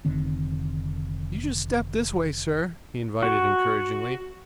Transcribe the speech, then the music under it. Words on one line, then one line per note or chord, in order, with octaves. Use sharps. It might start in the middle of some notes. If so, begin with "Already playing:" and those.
"You just step this way, sir," he invited encouragingly.
F1 D3 D#3 C4
F#4